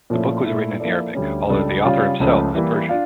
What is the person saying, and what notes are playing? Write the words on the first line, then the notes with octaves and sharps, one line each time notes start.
The book was written in Arabic, although the author himself was Persian.
A#2 F3 A3 C#4 E4
A#2 A3 E4
F3 A#3 E4 A4 D5
D2 D3 G3 C#4
C#2 C#3 G3 D4 A4
C#3 G3 C#4 F4
C#2 C#3 F3 A3 C#4
E3 G3 A#3 E4
D4 F4